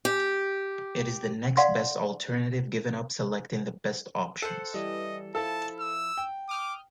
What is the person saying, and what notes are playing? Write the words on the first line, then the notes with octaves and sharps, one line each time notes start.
It is the "next best" alternative given up selecting the best option.
G4
D5 F5 F#5 C6
A4 C5 F#5
E3 G3 D#5
F3 E4 A4 A5
E6
G5
D6 D#6 F6 G6